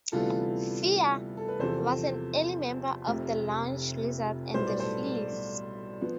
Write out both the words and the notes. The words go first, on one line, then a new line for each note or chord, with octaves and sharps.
Fier was an early member of The Lounge Lizards and The Feelies.
D2 C3 E3 G3 B3 F4 A4
A4
B4
E2 C3 F3 A4 C5
F1 F2 C3
B1 A2 G3 B3 C5
D5
A4 C5
F3 B3